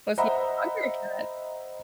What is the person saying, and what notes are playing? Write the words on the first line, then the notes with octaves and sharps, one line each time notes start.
Was he a dog or a cat?
C5 D#5 E5 F#5 A#5 B5